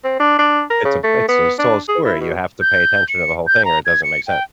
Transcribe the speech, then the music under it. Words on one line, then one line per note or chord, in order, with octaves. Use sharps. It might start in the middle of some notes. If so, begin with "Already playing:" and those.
it's a b it's a soul story. You have to pay attention to the whole thing or it doesn't make sense.
C4
D4
D4
A#4
C#3
A3
B3
D4
G#4
E4
B2
G6
C#7
G6
A#5
G#6
C#7
G5